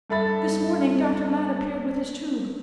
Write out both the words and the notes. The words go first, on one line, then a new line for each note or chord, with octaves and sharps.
This morning Dr. Ladd appeared with his tube.
G2 A4 E5 B5 A6